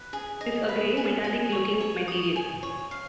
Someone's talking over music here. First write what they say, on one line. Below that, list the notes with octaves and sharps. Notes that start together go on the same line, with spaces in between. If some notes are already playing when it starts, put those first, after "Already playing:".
It is a grey, metallic looking material.
Already playing: B4
G#4
D#5
B4
G#4
G#5
C#5
C#5
D#6
G#5
C#5
F5